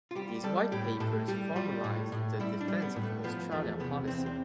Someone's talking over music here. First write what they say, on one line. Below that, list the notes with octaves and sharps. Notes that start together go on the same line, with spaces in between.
These white papers formalised the Defence of Australia policy.
F4
G3 G4
G3 A4
A2 G4
A2 A4
G3 G4
G3 F4
A2
A2
G3 E4
D4
G3
B3
A2
A3
F3 B3
E2 A3
C3 B3
E2 C4
C4